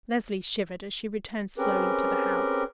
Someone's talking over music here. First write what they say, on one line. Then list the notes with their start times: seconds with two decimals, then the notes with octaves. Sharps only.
Leslie shivered as she returned slowly to the house.
1.58 C4 C#4 G4 G#4 A#4 B4